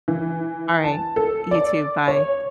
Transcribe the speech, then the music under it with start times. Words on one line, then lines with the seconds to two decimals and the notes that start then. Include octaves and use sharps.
Alright, you too, bye.
0.08 E3
0.84 A5
1.16 A4
1.51 D5
2.08 C#5